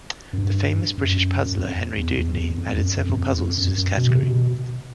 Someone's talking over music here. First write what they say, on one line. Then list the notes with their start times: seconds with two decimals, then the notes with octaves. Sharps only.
The famous British puzzler Henry Dudeney added several puzzles to this category.
0.33 F#2
0.38 G2
0.98 F#2
1.45 F#2
1.58 F2
1.97 E2
2.18 E2
2.34 F2
2.37 E2
2.58 F2
2.77 F#2
2.97 F2
3.10 F#2
3.17 F2
3.38 F2
3.58 F#2
3.78 F#2
3.97 B2
4.10 C3
4.23 B2